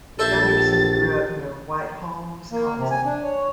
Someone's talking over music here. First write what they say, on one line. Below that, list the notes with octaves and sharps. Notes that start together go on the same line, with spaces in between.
Gunderson grew up near Whitehall, Wisconsin.
A#1 G4 A4 C5 E5 A6
A#3
C3
G#5
D4
C#5